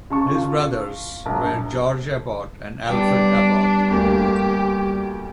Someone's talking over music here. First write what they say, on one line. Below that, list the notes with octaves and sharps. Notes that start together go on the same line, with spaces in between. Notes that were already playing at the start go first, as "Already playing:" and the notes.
His brothers were George Abbott and Alfred Abbott.
C#3 A5 C#6
F4
A#1 F#3
G3 B3 D4 G5
D2 A#3 G4